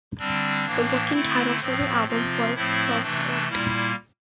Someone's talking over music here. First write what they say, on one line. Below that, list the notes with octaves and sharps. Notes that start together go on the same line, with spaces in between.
The working title for the album was self-titled.
D3 G3 C4 D4
A2 E3 A#3
D3 A3 C4 E4
A2 F3 C4
C3 F3 C4 F4
A2 F3 A3 C4 E4
C3 E3 A3 D4
A#2 G3 A#3 E4